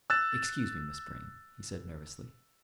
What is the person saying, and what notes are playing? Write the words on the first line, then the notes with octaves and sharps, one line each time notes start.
"Excuse me, Miss Vrain," he said nervously.
E6 F#6 A6 E7